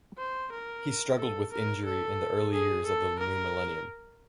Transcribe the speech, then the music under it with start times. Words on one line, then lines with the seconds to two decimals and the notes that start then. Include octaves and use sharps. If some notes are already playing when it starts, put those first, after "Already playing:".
He struggled with injury in the early years of the new millennium.
0.18 C5
0.52 A#4
1.18 A4
1.52 A#4
1.85 A4
2.53 G#4
2.86 A4
3.19 A#4